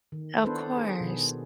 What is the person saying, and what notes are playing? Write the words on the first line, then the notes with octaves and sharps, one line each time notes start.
Of course.
D#3
B3 D4 E4 A4 B4 C5
G#4
B2 D#3